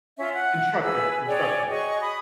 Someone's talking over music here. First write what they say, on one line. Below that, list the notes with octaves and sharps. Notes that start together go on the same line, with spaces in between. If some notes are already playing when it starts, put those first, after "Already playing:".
Instructor, instructor.
C#4 F4 E5
F#5
G#4 B4 E6
G#4 C#5 D5 G5
F#4 G#4 D#5 C#6
B5 D#6